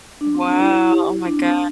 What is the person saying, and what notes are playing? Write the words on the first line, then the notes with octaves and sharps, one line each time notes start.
Wow, oh my gosh.
D4
C4
D4
E4
E4
G4
E4
D4
C4
D4